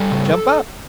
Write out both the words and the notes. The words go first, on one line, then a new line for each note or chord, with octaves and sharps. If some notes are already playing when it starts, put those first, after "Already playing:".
"Jump up."
Already playing: G3 A4
C#3